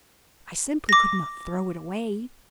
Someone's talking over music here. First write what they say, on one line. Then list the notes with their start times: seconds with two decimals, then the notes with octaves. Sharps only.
I simply could not throw it away.
0.89 D6 A#6